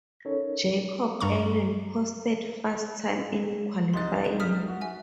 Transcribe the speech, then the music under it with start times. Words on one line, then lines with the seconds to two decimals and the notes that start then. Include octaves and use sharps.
Jacob Allen posted fast time in qualifying.
0.25 C#4 D#4 A4 A#4 C#5
1.20 G2 G3 A#5 C#6
3.94 C2 D#4 C6 F#6 A6
4.25 A#5
4.40 D#6 F6 B6
4.68 F#4
4.81 E5 G#5